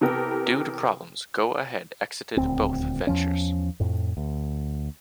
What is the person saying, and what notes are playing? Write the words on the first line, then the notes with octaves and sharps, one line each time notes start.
Due to problems, Go-Ahead exited both ventures.
C3 E3 B3 G4 A4 A#4
D#1 D2 C4
E2 F3 C#4
F2 A2
D2